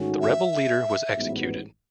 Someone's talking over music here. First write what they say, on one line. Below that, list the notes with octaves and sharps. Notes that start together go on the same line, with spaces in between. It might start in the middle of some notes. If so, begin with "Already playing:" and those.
The rebel leader was executed.
Already playing: G#2 D#3 A3 C#4 F#4
E5
A1 G#2 F#3 B3